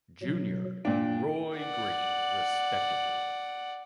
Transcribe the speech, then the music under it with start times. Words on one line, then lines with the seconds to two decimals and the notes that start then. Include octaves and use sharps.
Junior and Roy Green respectively.
0.23 B2 F#3
0.85 A#2 D4 G5
1.57 D5 F#5